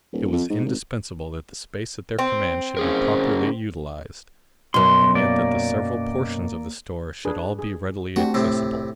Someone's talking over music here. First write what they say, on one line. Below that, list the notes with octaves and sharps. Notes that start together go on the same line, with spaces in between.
It was indispensable that the space at their command should be properly utilized, and yet that the several portions of the store should all be readily accessible.
D#1
F2
G#2
G#1
C4
C#4 G#4 A#4
F#2 B2 C6
A#3 D5
D4 G#4 B4
G#4
A3 C4 D4 F#4 G4
A2 C3